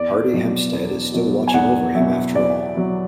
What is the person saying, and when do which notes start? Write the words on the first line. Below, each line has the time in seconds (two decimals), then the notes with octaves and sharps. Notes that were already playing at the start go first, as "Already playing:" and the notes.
Hardy Hempstead' is still watching over him after all.
Already playing: E2 D5
0.33 B2 F#3
0.73 E2
1.14 B2 F#3
1.48 G#5
1.54 E2 F#5
1.95 B2 F#3 E5
2.35 E2 D5
2.76 B2 F#3